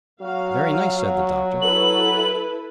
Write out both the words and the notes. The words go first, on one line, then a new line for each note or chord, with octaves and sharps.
"Very nice," said the Doctor.
F#3 F#4 F5
E4 A4 B4 F#7